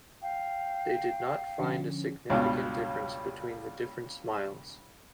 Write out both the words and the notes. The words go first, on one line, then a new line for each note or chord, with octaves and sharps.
They did not find a significant difference between the different smiles.
F5 G5
D3 F3 C#4
C#2 G2 B2